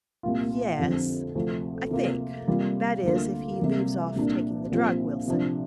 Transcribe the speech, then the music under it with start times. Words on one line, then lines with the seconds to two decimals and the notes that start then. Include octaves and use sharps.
'Yes, I think--that is, if he leaves off taking the drug, Wilson.'
0.23 C2 A#2 A#3 F4
0.79 F2 D3 F3 C4
1.35 D2 C3 F3 C4
1.91 C3 A#3 F4
2.47 C3 G3 A#3 F4
3.04 D2 D3 A#3 F4
3.60 C3 G3 A#3
4.16 C2 A#2 A#3 D4
4.72 C2 A#2 F3 C4 F4
5.28 C3 F3 D4